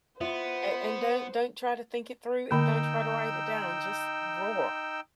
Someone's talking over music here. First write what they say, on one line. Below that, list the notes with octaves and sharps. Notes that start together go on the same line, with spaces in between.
And and don't don't try to think it through, and don't try to write it down, just roar,
B3 F4 C5 E5
D3 A#3 D#4 G5 E6